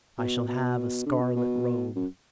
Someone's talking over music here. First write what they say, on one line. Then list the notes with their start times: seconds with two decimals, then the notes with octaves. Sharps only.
I shall have a scarlet robe.
0.18 B2
0.48 B2
1.06 D3
1.21 B2
1.36 B2
1.96 F#2